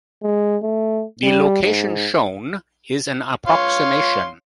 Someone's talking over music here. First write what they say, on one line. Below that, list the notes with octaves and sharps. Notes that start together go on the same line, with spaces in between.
The location shown is an approximation.
G#3
A3
G3
G#2
C#5 F5 C6